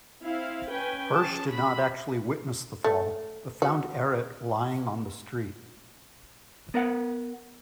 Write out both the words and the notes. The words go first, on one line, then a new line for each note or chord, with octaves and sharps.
Hirsch did not actually witness the fall but found Ehret lying on the street.
C4 E4 F5
C#4 B4 G5 G#5
C#4 G#4 A5
F#4 B5
A3
F#4
B3 A#4 B4 F#5